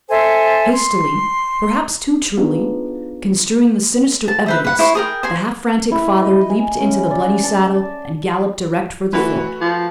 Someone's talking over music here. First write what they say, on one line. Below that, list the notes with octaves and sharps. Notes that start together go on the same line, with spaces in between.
Hastily--perhaps too truly--construing the sinister evidence, the half-frantic father leaped into the bloody saddle, and galloped direct for the Fort.
A4 C5 E5 G#5
C6
B3 D4 D#4 F4 G#4
A5
B4 C5 E5
B4 F#5
E4 C5 C#6
G#4 A#4 G5
C5 G#5 C6
E4
D#5
G#5
C#4
D5
A5
E3 A3 F#4 B4
F3